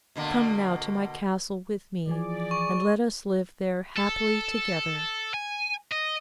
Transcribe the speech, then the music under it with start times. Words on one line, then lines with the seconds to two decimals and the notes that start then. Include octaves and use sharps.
Come now to my castle with me, and let us live there happily together.'
0.16 B2 D3 A#3
2.07 E3 F3 G#4 D5 G#5
2.51 C#6
3.97 A4
5.34 G#5
5.92 D#5